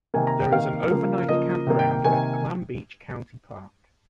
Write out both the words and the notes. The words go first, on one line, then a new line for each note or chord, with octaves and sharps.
There is an overnight campground at Clam Beach County Park.
C3 D#3 A#3 G#5
A#5
G5
C3 D#3 A#3 F5
C#3 F3 A#3
C#3 F3 A#3 D#5
C3 D#3 A#3
G5
G5
C3 D#3 A#3 G#5